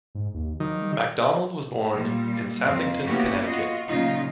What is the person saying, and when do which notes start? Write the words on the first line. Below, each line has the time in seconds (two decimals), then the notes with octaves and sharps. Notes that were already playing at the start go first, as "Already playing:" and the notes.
MacDonald was born in Southington, Connecticut.
0.15 G#2
0.34 D#2
0.60 D#3 F#3
0.82 G3
1.93 A#2 G3
2.64 F2 C4 F4
3.05 A#3 B3 C#4 E4 F#4 G4
3.46 F4 F#4 D#5
3.89 A#2 C#3 F#3 D#4 F4